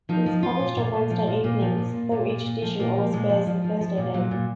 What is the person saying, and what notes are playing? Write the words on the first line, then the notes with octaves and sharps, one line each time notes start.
It is published on Wednesday evenings, though each edition always bears the Thursday date.
F3 D#4
F3
F3 F4
A#2
A#2 F4
A#2
F3
A#2
A#2 A#3
F3
A#2
A#2
A#2
A#2
A#2
F3
A#2 A#3
F3
A#2 G#3
F3
F3
F3
F3
A#2
A#2 F#3
A#2